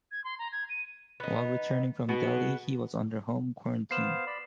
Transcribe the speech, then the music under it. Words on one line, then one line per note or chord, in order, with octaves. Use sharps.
While returning from Delhi he was under home quarantine.
G#6
C6
A#5
G#6
D#7
B3 D#4
B2 B3 G#4
B3 C5 F5 C7 E7
D5 B5